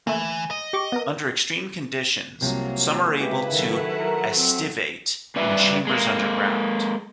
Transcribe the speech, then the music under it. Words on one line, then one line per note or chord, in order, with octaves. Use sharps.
Under extreme conditions, some are able to aestivate in chambers under ground.
E3 A3 A#3
D#5
G4 C#6 D6
B3 A#4
C2 C3 F3 F#3 A#3
C#3 G#3 E4 F#4 G4 B4
D#3 F#3 A3 F#5
A#4
C4
G2 D4 B4 E5
G#3 A#3